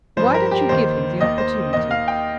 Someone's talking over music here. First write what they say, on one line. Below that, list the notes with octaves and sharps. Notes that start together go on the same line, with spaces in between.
"Why don't you give him the opportunity?"
G2 F3 C5
A#4
G4
D#2 D#3 C5
D#2 D#3 D#5
C5
D#2 D#3 D#5
F5
G5